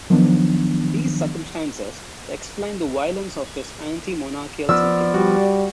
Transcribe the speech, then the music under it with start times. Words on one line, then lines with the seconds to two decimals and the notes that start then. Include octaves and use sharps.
These circumstances explain the violence of his anti-monarchical sentiment.
0.10 D#3 F3 F#3 B3 D4
4.69 F3 B3 D5 E6
5.14 G3 F#4